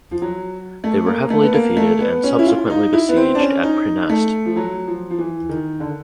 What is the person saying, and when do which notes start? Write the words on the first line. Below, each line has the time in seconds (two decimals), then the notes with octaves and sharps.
They were heavily defeated and subsequently besieged at Praeneste.
0.11 F3
0.22 F#3
0.84 A3
1.06 A#3
1.30 A3
1.42 B3
1.53 A#3
1.77 A3
2.00 B3
2.23 C#4
2.39 E4
2.46 F4
2.70 D#4
2.93 E4
3.09 B3
3.16 C4
3.35 D4
3.40 C#4
3.63 D#4
4.09 A3
4.45 F3
4.56 F#3
4.87 F3
5.10 F3
5.18 E3
5.49 D#3
5.80 D3